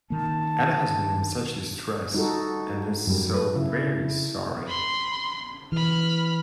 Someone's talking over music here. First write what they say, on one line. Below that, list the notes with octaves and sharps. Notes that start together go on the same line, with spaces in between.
Ada has been in such distress, and is so very sorry.
D#3 A#3 A5
G3 D#4 F#4 A4
F#2 G3
F#3 B4
C#3 E4
B5 C6
E3 B5 F6